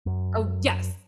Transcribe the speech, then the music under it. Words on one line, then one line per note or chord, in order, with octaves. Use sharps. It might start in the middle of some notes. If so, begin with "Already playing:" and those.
Oh, yes!
F#2